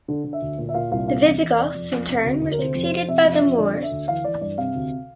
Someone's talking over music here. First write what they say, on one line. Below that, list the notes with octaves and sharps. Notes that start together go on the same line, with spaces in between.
The Visigoths, in turn, were succeeded by the Moors.
D3
D3
E5
D2
A#2
E5
A#2 F5
C2 F5
C3 F5
E2
E2
C3 D5
F2
F2
C3
D2
D2
A#4
C3 C5
F2
C5
F2
C3 E5
F2
E5
F2
D3 D5
D3
E5
D2
E3 F5
E3 D5
G2 D5
C3 F5
D2